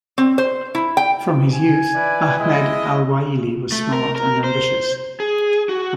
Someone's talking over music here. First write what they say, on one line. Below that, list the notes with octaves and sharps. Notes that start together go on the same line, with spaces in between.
From his youth, Ahmed Al-Waeli was smart and ambitious.
C4
C5
E4
G5
G#5
E4 B4 D5
G#3 E4 D#5
A3
A#4
A#4
C5
G#4
F#4